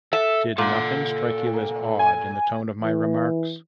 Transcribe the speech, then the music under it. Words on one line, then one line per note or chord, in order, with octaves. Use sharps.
Did nothing strike you as odd in the tone of my remarks?
A4 E5
A#2 A4 F#5
G#5
E3